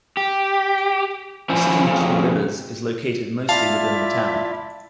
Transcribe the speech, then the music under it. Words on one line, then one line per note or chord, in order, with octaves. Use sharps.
The City of Two Rivers is located mostly within the town.
G4
F3 C#4 E4 C5
F2 C#3
E4 F4 D5 E5 F5 A5